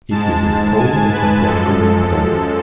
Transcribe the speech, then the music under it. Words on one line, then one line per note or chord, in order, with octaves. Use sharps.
It was as cold as a block of marble.
G#2 G#3 A5
G#5
B4
F#2 F3 G#3 A4